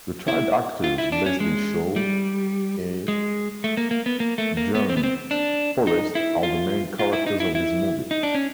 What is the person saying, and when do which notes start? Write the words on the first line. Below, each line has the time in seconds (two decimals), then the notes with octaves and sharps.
The child actors Leslie Shaw e Jean Forest are the main characters of this movie.
0.28 E4
0.84 F4
0.98 E4
1.12 D4
1.26 C#4
1.40 G#3
1.96 G3
3.08 G#3
3.64 A3
3.77 A#3
3.91 A#3
4.06 B3
4.20 A#3
4.38 A3
4.57 A#3
4.75 B3
4.89 C4
4.97 B3
5.04 C4
5.31 D4
5.87 D#4
6.15 E4
6.43 F4
6.99 F4
7.13 E4
7.27 D#4
7.40 E4
7.55 E4
8.11 D#4
8.23 D4
8.35 C#4